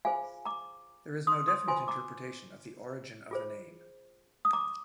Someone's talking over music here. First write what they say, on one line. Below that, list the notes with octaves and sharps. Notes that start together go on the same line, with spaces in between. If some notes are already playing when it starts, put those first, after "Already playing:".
There is no definite interpretation of the origin of the name.
F4 G#4 C5 F5 G#5
A#5 D6
C6 D#6
C6 D#6
F4 C5 G#5 C6
A#5 D6
F4 G#4 C5
D#6
A#5 D6